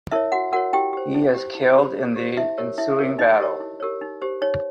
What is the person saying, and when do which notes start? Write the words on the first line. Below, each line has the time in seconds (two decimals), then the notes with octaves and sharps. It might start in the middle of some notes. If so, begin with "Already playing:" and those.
He is killed in the ensuing battle.
0.11 E4 A#4 C#5 E5
0.32 F#4 F#5
0.53 F#4 A#4 F#5
0.56 C#5
0.73 E4 G4 G5
0.93 G4 C5
1.15 E4
1.34 G4 C5
1.55 E4
1.76 G4 C5
1.96 E4
2.16 G4 C5
2.37 E4 E5
2.58 G4 A#4 C#5
2.78 E4 E5
2.99 G4 A#4 C#5
3.18 D#4 E4 D#5
3.40 G4 A#4 C#5
3.60 E4
3.80 G4 A#4 C#5
4.01 D#4
4.22 G4 C5
4.42 D#4 C#5